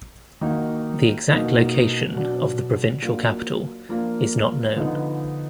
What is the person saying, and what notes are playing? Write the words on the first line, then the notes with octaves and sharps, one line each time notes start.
The exact location of the provincial capital is not known.
D#3 A#3 D#4 F#4
B2 A#3 D#4 F#4
B2 F#3 D4
F#3 A#3 D4 F4
F3 A#3 D4 F4
D3 F3 B3 D#4